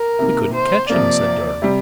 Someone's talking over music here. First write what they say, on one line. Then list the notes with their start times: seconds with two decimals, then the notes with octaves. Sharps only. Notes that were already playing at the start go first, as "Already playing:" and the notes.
"We couldn't catch him," said Durham.
Already playing: A#4
0.19 C3 D#3 A#3
0.54 C5
0.89 C3 F3 A#3 D5
1.62 C3 G3